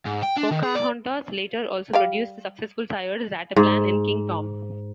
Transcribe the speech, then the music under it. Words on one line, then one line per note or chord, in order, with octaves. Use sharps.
Pocahontas later also produced the successful sires, Rataplan and King Tom.
G#2
G5
D4
D#3
G#4
D5
G3 D5 F5
G#2